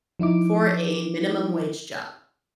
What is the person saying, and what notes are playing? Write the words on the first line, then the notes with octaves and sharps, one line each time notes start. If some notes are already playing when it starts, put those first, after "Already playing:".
For a minimum wage job.
F3 D#4 E4 D6